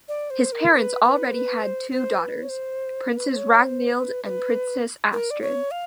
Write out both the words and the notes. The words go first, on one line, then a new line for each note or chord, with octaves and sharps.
His parents already had two daughters, Princess Ragnhild and Princess Astrid.
D5
C5
A#4
B4
B4
C5
B4
C5
C5
B4
C#5
C5
A#4
B4
C5
C#5
C5
B4
B4
A#4
D5
C#5
F5